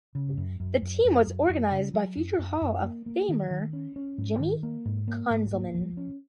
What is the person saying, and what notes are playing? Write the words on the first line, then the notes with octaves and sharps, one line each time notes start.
The team was organized by future Hall of Famer, Jimmy Conzelman.
C#3
F#2
F#2
F#2
F#2
F#2
F#2
C#3
F#3
F#2
F#2
F#2
A#3
A#3
D#3
D#3
C#4
C#4
G#2
D#3
A#3
G#2
A#3
G#2
A#3
F3
C#4